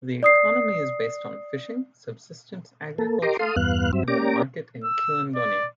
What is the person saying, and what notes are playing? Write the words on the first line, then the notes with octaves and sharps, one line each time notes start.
The economy is based on fishing, subsistence agriculture and the market in Kilindoni.
D5 D#6 C7
A#3 A4
G4 A#4 D#5 A#5 C6 D6
A4 F5 C6 D#6
E2 G2 B3 F5 F#6
G2 F#3 C4 E5
A#3 C#4 G4 D5 A#5 D6
E6
D5